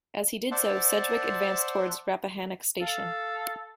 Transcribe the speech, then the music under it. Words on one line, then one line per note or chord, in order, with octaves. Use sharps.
As he did so, Sedgwick advanced toward Rappahannock Station.
C5 D5 E5 F#5 A5 C6
A4 F5